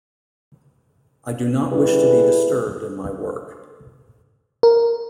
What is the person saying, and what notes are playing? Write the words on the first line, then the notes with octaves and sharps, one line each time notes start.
I do not wish to be disturbed in my work.
G3 E4 G#4 A4 B4
A#4